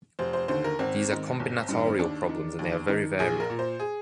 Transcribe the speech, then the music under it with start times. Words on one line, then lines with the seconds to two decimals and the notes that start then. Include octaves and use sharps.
These are combinatorial problems and they are very varied.
0.19 F1 C5
0.33 C5
0.48 D#2 D3 C5
0.64 A#4
0.79 G#1 C4
1.09 G#2 D#3
1.40 G1
1.69 G2 D#3
1.86 C4
1.99 D#2 D4
2.29 D#3
2.59 D#2
2.89 D#3
3.19 A#1 G#4
3.40 A#4
3.50 A#2
3.59 C5
3.80 G#4